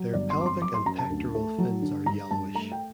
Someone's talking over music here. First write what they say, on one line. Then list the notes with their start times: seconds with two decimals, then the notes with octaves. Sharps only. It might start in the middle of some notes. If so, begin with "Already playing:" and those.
Their pelvic and pectoral fins are yellowish.
Already playing: F#3
0.13 G1 D5
0.30 C6
0.38 C4 D6
0.46 C6
0.62 F#3 D6
0.74 C6
0.86 F#2 A#5
0.98 A5
1.10 D2
1.35 A3
1.58 F#3
1.82 D3
2.06 G2 A#5
2.31 G2 A5
2.55 A3 A#5
2.72 G5